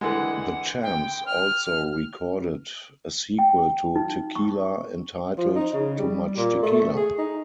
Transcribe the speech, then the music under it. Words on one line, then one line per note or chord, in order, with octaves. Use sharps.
The Champs also recorded a sequel to Tequila entitled "Too Much Tequila".
D3 E3 G#3 F#5
G5
F6
G5
D#4
C#6
F3
D#4
C#3
G3
A#2
A3
G#4
D#4